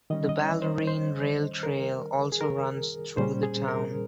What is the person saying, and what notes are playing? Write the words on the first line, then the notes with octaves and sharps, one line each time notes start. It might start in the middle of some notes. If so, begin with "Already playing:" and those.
The Bellarine Rail Trail also runs through the town.
D#3 G3 C#4 D#5
D#5
C#5
C5
C5
A#4
G#4
A#4
A#2 G3 C#4 C5
G#4
A#4